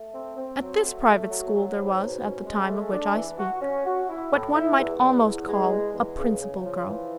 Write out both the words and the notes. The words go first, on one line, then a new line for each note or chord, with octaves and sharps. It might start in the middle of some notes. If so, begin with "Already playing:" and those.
At this private school, there was, at the time of which I speak, what one might almost call a "principal girl."
Already playing: A3
C4
C4
F#3
A3
A3
F#3
F#3
G#2
B2
C#4
G#3
A3
D4
E3
F#4
C#4
F#4
E4
A2
E4
E2
E2
E2
G#3
E2
E2
C#3
C#3
F3
E3